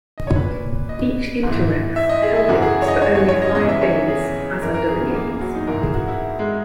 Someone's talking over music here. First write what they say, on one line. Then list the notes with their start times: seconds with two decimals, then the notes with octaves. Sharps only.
Each "interrex" held the office for only five days, as under the kings.
0.18 D#5
0.27 C#5
0.36 A#2 B4
0.89 D#5
1.43 G#2 E3
1.96 E5
2.09 D#5
2.22 G#4
2.35 E4
2.48 F#2 C#3 E3 F#4
2.62 G#4
2.82 C#5
2.88 D#5
3.02 C#5
3.15 C#5
3.29 C#5
3.42 D#5
3.55 E2 C#3 E3 D#5
3.69 E5
3.82 C#5
4.08 G#4
4.62 F#2 E3 A#4
4.74 A#4
4.88 G#4
5.01 B3
5.14 A#3
5.28 A#3
5.41 F#3
5.55 D#4
5.67 G#2 E3 A#4
5.81 G#4
5.94 F#4
6.08 E4
6.39 G#3